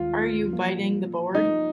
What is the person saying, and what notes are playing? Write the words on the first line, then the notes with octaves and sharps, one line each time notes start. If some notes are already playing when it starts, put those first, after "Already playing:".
Are you biting the board?
Already playing: D#2 D#3 G#3 F4
F3 A#3 F4
D#4